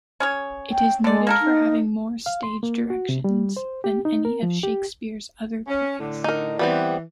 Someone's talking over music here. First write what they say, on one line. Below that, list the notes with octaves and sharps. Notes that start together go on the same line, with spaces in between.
It is noted for having more stage directions than any of Shakespeare's other plays.
C#4 G#4 C#5
G5
D3 G#3 D5
A#3 A4 A#4
D#4
F5
C6
A#3
F#4
C3
G3
C5
G4
D#4
A#4
F3
G4
C#4
A2 D3
D#4 A#4
E3 G3 B3 C4